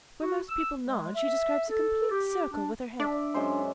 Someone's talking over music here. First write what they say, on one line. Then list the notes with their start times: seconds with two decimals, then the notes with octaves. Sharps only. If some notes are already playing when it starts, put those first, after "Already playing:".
Where most people nod she describes a complete circle with her head.
0.22 F#4
0.49 E6
0.83 G#3
1.16 E5
1.69 A4
2.11 G4
2.51 D4
3.00 D4 D5 E5
3.34 F#2 G#3 C5